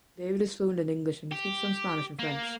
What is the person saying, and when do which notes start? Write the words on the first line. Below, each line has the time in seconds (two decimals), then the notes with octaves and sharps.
David is fluent in English and can speak some Spanish and French.
1.32 G4
2.19 A#3